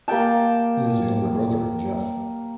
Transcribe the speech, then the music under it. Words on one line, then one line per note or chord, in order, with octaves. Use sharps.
He has a younger brother, Jeff.
A#3 G4 G5 A5